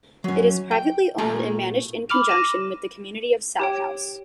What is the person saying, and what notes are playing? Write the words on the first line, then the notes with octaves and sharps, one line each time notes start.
It is privately owned and managed in conjunction with the community of Salhouse.
F#3 C#4
G5
A#2 A3 G4 G#5 A#5
B5 D6 F6 F7
D6 A#6 D#7 E7
G4 C#5 G5